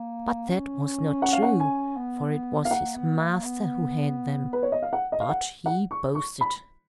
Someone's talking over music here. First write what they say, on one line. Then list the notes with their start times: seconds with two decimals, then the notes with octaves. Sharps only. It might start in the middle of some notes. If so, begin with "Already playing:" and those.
But that was not true, for it was his master who had them: but he boasted.
Already playing: A#3
0.49 C#4
1.22 F#5
1.33 F5
1.43 F#5
1.60 G#5
1.97 B3
2.65 F5
2.71 A#3 F#5
2.95 B3
3.19 A#3
3.44 B3
4.53 B4
4.63 C#5
4.72 D#5
4.82 F5
4.93 F#5
5.12 D#5
5.21 F5
5.29 F#5
5.66 F#5
5.91 C#6
6.15 C#6
6.41 B5